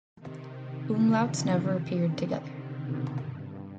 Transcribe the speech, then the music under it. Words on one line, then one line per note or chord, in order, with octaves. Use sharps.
Umlauts never appear together.
C3 D#3
D3 F3
C3 D#3
D3
C3
B2
G2